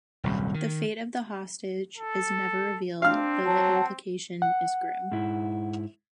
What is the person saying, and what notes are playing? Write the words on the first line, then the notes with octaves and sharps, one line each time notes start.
The fate of the hostage is never revealed, though the implication is grim.
D#1 C2 F#2
D#3
A4
C4 D4 F5 F6
F#3 F#5 A5
F#5
G#2 E4